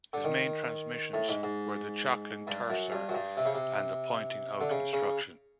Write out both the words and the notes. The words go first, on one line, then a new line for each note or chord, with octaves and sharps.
His main transmissions were the Chokling Tersar and the pointing-out instruction.
D3
D#3
A2
G#2
G#2
G2
F#2
G2
F#2
G2
C3
C#3
C3
D3
C#3
C#3